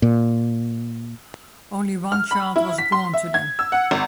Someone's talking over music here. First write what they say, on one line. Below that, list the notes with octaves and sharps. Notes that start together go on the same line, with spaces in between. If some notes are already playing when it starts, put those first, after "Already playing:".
Only one child was born to them.
A#2
F6
B5
E4
B6
C6
E5
G#6
E6
F#5
G#1